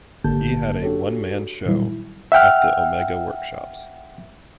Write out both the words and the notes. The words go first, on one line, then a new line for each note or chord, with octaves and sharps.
He had a one-man show at the Omega Workshops.
G#1 D3 A#3 G4 A5 G6
D4 F#4 G4 A4 C#5
A#2 D#3 F#3 G3 E4
E5 F#5 G5 F6